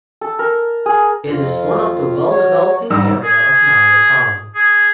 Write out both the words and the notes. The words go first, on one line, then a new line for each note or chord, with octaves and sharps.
It is one of the well developing area of Malir Town.
A4
A#4
G#4
F2 F4
F#3 C#5
G#2 G3 A#5 E6
G#4
G#4